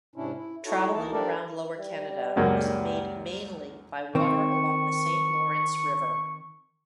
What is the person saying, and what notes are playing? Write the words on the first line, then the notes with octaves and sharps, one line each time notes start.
Traveling around Lower Canada was made mainly by water along the Saint Lawrence River.
G#2 C3 C#4 D4 E4
E4
D#4 E4 F#4 A4 C#5
D2 E3 D#4 E4 A5
D4 G4 A4 A#4 D5
G3
C#2 F#2 A#3
D#3 C4 C#6